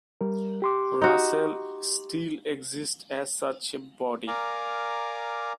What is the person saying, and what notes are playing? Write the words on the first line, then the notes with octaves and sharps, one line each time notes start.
Russell still exists as such a body.
G3 A#4
G4 C6 D6
D#4 F#4
A#4 D5 F5 G#5 A#5 D6